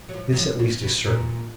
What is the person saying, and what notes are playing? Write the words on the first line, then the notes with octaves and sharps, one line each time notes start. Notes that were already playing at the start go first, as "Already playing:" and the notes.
This at least is certain.
F#3
F3
F#3
F3
C#3
B2
A#2